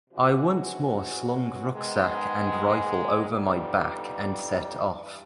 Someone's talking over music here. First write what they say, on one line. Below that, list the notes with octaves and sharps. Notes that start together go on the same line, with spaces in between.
I once more slung rucksack and rifle over my back and set off.
C3 E3 G#3 C#4 F#4
G#2 D#3 G#3 B3
F2 D3 G3 B3 D#4
G2 E3 G3